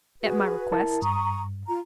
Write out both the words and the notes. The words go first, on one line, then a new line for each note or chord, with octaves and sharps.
At my request.
F#4 G#4 B4
E4 A#4 A5
G2 A#5 C#6 D#6
F4 A#5